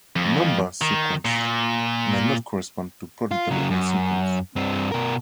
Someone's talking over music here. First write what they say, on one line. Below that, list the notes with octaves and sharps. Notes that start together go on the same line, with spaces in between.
Number sequence may not correspond to product development sequence.
F2
D#3
A#2
F4
C#3 F#3
F#2
G2 C4
B2 A#4